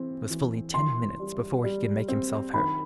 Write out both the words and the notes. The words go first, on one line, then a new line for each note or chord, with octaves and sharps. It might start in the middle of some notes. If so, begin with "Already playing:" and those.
It was fully ten minutes before he could make himself heard.
Already playing: E3 C4
E3
E3 C6
G3
G3
C4
D#3 B5